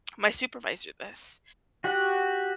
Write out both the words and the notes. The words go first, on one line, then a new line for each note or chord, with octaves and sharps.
my supervisor this.
F#4 G4 F#5